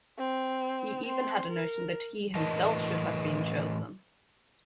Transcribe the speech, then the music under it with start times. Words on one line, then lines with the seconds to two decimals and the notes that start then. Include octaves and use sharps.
He even had a notion that he himself should have been chosen.
0.19 C4
1.05 C4 C6
1.50 A#4
2.35 A2 E3 A#4 B4 D#5 A5